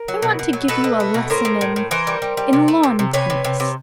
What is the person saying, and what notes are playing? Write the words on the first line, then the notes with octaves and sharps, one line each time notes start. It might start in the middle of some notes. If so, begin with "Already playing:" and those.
"I want to give you a lesson in--in lawn tennis."
Already playing: A#4
F#3
B2
B2
F#3
B2 A4 B4
B2
A3
B2
A2 A#4 C5
A2
A2
A2
E3 A#4 C5
G3
G3
G3
C3
A3
C3
C3
C3 B4 C#5
C3
C3
C3